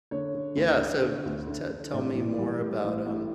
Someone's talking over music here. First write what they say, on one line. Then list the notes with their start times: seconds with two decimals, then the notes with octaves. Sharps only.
Yeah, so t t tell me more about, um,
0.11 D3 C#5
0.35 D3
0.57 D2
0.79 D3
1.02 D3
1.25 D2
1.47 D3
1.70 D3
1.93 A1 D5
2.15 E3
2.38 G3
2.61 A2
2.84 A1
3.06 A2